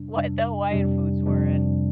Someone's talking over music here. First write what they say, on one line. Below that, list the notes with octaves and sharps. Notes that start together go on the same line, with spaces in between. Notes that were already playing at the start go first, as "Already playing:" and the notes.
what the Hawaiian foods were, and,
Already playing: F2 C3 G3 D4
F2 C3 G3 D4
F2 C3 G3 D4
F2 C3 G3 D4